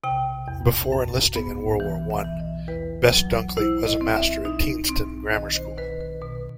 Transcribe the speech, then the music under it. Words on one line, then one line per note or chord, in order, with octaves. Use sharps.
Before enlisting in World War One, Best-Dunkley was a Master at Tienstin Grammar School.
C3 G5
E2
F#2
B3
E3
E5
E3
D#5
E2 B4
F#3
E4 C5
D#5
C4
E5
D#4
C4
D#3 D#5
C5
D#3 B4
B4
B2 B4